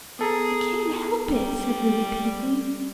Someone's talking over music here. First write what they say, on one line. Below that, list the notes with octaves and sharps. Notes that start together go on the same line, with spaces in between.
"I can't help it," said Ruby pitifully.
B3 G#4 A4 A#5
G3